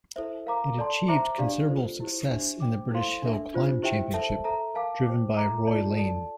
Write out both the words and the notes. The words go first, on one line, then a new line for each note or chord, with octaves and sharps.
It achieved considerable success in the British Hill Climb Championship, driven by Roy Lane.
E4 A4 C5 E5
A#4 F5 A#5 D6
A4 D5 A5 C6
C5 E5 A#5 D6
D4 G4 D5 F5
F4 A4 C5
E4 G4 C5
D4 G4 C5 E5
C5 G5 D6
E4 A4 C5 F5 C6
D4 A4 E5
D4 F4 C5
E4 G4 C5 E5 G5
A4 C5 E5 A5
A4 E5 A#5
A#4 F5 A5 D6
C5 G5 D6
A4 E5 A#5 D6
F4 A4 D5 A5
A4 D5 A5